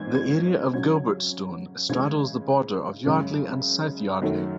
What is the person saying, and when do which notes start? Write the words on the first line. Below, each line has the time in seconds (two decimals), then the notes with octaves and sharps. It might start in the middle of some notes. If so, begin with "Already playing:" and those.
The area of Gilbertstone straddles the border of Yardley and South Yardley.
Already playing: G#2 E3 C4 G#6
0.15 G#6
0.73 C#3 F#3 C#4 G#6
1.89 C#3 E3 G#3 G#6
3.06 F#2 C#3 G#3 C#4
4.22 F#2 D#3 F#3 A3